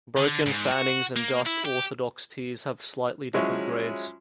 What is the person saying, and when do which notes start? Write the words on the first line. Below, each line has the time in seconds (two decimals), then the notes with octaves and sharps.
Broken, fannings and dust orthodox teas have slightly different grades.
0.17 D3
0.46 G#2
0.71 F#4
1.16 A#3
1.46 E4
1.65 G4
3.34 F3 F#3 G#3 C#4 E4